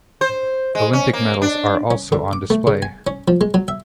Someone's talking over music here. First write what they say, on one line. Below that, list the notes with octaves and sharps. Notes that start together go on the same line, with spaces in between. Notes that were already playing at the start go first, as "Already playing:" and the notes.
Olympic medals are also on display.
C5
G#3
C#4
A#3
D4
C#4
D3
D6
A3
C#3
G#5
C#4
F3
G#3
F#3
E5